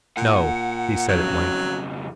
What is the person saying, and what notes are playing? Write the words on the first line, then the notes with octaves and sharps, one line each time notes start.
"No," he said at length.
A#2 F#5
F2 C#3 F#3